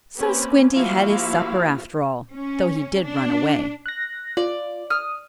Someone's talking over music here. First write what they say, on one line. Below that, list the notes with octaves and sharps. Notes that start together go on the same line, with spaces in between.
So Squinty had his supper, after all, though he did run away.
A#3 C4 C#4 G4 B4
F3 A#3 E4 F#4 G4 F5
C#4
D4
F#6 A#6
F4 D5
D#6 F6